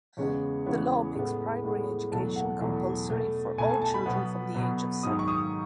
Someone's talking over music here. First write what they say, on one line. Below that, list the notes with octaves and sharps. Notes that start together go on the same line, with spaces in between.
The law makes primary education compulsory for all children from the age of seven.
E2 C#3 E3 G#3 B3 C#5
E2 C#3 E3 G#3 B3 C#5
A2 G#3 B3
A2 G#3 B3
E2 B2 F#3 A3 A5
F#5
E2 B2 F#3 A3
B2 A3
B2 A3 G#5
A5
A5
B5
B2 F#3 B3
B2 F#3 B3
G#2 D#3 F#3 D#6
C#6
D#6